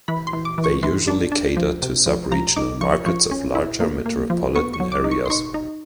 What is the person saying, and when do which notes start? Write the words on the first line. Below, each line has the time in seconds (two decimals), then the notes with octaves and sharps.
They usually cater to sub-regional markets of larger metropolitan areas.
0.08 E3 B5
0.27 C6
0.33 E3
0.45 D6
0.58 E3
0.64 C#6
0.83 E3 C6
1.08 D4
1.32 D4
1.57 F3
1.83 C3
2.06 F3
2.31 F3 A#5
2.56 D#4 D6
2.81 F3 C#6
3.06 F3 C#6
3.31 C#4
3.55 E4
3.80 A#3
4.06 A#3
4.30 F3
4.56 B3 C#6
4.74 C#6
4.80 F#3
4.92 D6
5.04 D#4
5.11 C#6
5.26 C6
5.30 D#4 C#6
5.54 D#4